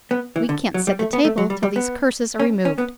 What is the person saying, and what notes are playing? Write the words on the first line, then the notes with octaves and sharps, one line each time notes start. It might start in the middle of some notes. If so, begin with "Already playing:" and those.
We can't set the table till these curses are removed.
B3
E3
D3
F#3
G3
A3
B3
A3
F#3
G3
G3
B3
C#4
C#4
B3